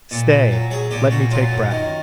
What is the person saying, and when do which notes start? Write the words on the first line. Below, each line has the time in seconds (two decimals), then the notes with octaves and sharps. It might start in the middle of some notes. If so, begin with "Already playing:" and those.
Stay, let me take breath ...
0.11 A#2
0.31 A#2
0.51 F#3
0.71 F#3 G#4
0.91 A#2 G4
1.11 A#2 F#4
1.31 F#3 F4
1.51 F#2
1.71 D#3